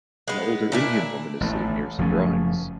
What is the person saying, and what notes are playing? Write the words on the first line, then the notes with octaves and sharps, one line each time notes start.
An older Indian woman is sitting near some drawings.
G#3 B3
A#2 D4 E4
A1 A3
F#1 F3 A3 C#4